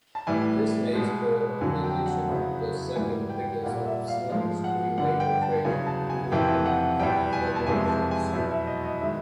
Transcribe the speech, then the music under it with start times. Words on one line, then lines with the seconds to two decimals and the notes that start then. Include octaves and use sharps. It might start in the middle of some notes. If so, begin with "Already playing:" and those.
This makes the organization the second biggest of Sweden's three major trade union confederations.
0.15 A5
0.27 A2 E3 G3 G#5
0.93 B2 G#3
1.61 F2 D3 F#3 G#5
1.84 G5
2.06 F#5
2.29 E2 C#3 F#3
2.96 G#2 E3 G3 G#5
3.30 G5
3.63 A#2 G3 F#5
3.85 E5
4.08 F5
4.30 G#2 F3 G#3 F5
4.64 F#5
4.97 G2 D3 G3 F#5
5.20 G5
5.42 A5
5.64 E2 C#3 F#3 G#5
5.87 A5
6.10 G#5
6.32 F2 C3 E3 G5
6.66 F#5
6.99 E2 B2 G3 G5
7.33 G#5
7.56 A5
7.66 F2 C3 E3 G#3 G#5
7.89 A5
8.11 G#5
8.34 E2 B2 F#3
8.50 E5
8.67 D#5
8.84 D#5
9.01 D#3 G#3 E5